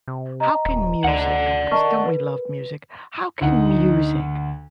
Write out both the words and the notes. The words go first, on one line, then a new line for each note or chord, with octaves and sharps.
how can music 'cause don't we love music? How can music
C3
D#5 A#5
D#1
D2 D5 F#5
A#4 D#5 A5 C#6
B4
D2 D#4 F#5